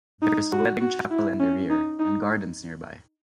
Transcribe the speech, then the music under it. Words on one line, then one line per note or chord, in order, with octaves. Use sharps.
There is a wedding chapel in the rear, and gardens nearby.
D#4
F#4
F#4
E4
C#4
D#4
D#4